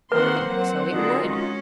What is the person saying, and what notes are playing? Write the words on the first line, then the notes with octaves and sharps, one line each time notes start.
And so it would.
D#3 A#3 C4 B4 C5 F#5 C6
F#3 C4 A#4 F#5
D3 D#4 F4 F#4 G#4
G#3 C#4